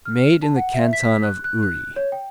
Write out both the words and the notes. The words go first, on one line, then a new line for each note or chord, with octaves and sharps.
Made in the Canton of Uri.
F6
A5
F#5
E5
B6
F#6
F#6
F#6
C#5
G5